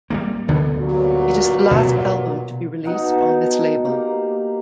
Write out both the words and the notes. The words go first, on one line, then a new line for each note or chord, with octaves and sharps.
It is the last album to be released on this label.
G3 A3 A#3
D2 D3 B3
G2 A#2 F#3
B2
B2 D#4 F#5 G5
A5
A#3 G4